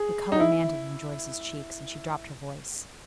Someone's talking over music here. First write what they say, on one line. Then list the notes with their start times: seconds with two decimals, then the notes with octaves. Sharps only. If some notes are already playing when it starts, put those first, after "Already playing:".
The color mantled in Joyce's cheeks, and she dropped her voice.
Already playing: G#4
0.32 D#4
0.40 E4